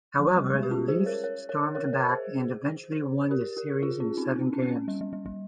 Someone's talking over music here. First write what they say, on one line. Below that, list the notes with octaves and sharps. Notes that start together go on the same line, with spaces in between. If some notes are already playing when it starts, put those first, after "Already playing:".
However the Leafs stormed back and eventually won the series in seven games.
F3
G3
G#3
G4
C#4 F4
G#4 C5
A#4 C#5
A#4 C#5
A#4 C#5
A#4 C#5
A#4 C#5
G#4 C5
G4 A#4
G4 A#4
F4 G#4
C#4 F4
C4 D#4
C4
C#4
C#4
G3
G3
G3
G3